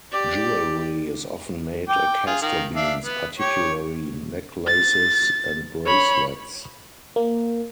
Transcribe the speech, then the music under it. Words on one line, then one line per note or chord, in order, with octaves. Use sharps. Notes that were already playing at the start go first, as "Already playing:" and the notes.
Jewelry is often made of castor beans, particularly necklaces and bracelets.
G4 D5
G5 D6
F4 G#4
D#3 F5
D4 E5 F5
B3
G4 C#5
A6
C#5 B5
A#3